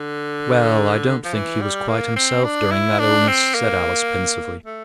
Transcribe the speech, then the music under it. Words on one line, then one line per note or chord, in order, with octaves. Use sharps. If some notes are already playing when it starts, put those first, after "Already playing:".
"Well, I don't think he was quite himself during that illness," said Alice, pensively.
Already playing: D3
F3
E3
G3
A#3
C4
D4
E4
D4
C4
A#3
A3